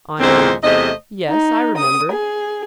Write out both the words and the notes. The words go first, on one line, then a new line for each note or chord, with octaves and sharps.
ION: Yes, I remember.
E2 A#2 D3 G#3 C4 C5
E2 C3 A3 C5 D#5
D#4
D#6
G#4